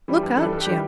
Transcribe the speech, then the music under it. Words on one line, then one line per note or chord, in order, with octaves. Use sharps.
'Look out, Jim!
E3 G3
G2
E3 G3 A4
G2 A4
G4
E3 G3